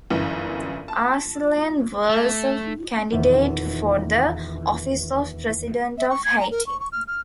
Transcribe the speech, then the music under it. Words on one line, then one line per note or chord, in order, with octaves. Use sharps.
Arcelin was a candidate for the office of president of Haiti.
G1 F#2 E3
A5
A3
D#1 E2 D#3 E5
E5
C#6
G#6
A#5
A#4
C#6
C#6
F6
F6